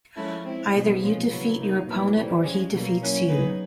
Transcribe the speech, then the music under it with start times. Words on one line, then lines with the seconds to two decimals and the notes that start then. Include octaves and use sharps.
Either you defeat your opponent or he defeats you.
0.16 F3 G#3 C#4 E4 A4
0.43 G#3 C4 E4
0.73 B2 F#3 B3 D#4 G#4
1.01 A#2 F3 G#3 C#4 F4
1.29 C#3 F#3 B3 E4
1.57 C3 F3 A#3 D#4
1.85 A#2 F#3 B3 E4
2.15 E3 G3 C4
2.43 F3 G#3 C#4
2.72 B2 F#3 A#3
3.00 F#3 A#3 C#4 E4
3.27 F#3 B3 D#4 G#4 B4